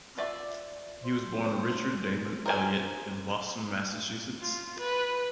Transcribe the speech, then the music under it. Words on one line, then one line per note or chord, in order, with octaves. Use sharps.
He was born Richard Damon Elliott in Boston, Massachusetts.
F4 D5 E5
C5
A#4 C5 G#5
F4
B4